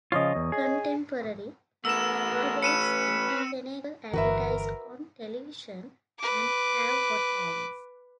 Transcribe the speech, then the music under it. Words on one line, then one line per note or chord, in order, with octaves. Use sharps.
Contemporary marabouts in Senegal advertise on television and have hot lines.
C#3 F3 F4 C#5 D#5
E2
G#4
E3 A3 B3 A#4 E6 E7
C#4 B4 B5 C#7 D#7 E7
C4
G1 E3 F#4 A#4 B4 E5
B4 D6